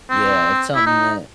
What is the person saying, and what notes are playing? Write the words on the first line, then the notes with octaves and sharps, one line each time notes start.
Yeah. It's something that
C4
E4
D#4